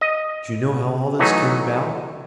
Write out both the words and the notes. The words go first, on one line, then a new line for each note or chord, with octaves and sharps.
Do you know how all this came about?
D#5
E3 F#3 A3 D#4